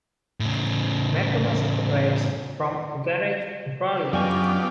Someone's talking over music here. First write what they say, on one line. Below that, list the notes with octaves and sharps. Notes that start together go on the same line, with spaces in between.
Metrobus operates from a garage in Crawley.
A2 C#3
F#2 B2 D4 F4 G4 G#5